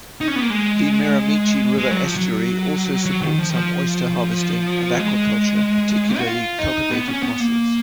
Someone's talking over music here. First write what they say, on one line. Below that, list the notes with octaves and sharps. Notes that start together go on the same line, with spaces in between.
The Miramichi River estuary also supports some oyster harvesting and aquaculture, particularly cultivated mussels.
D#4
C#4
B3
A#3
G#3
G#3
F#3
F3
F#3
F#3
D#3
F3
D#3
F3
G#3
F#4
F4
D#4
B3
C#4
B3
A#3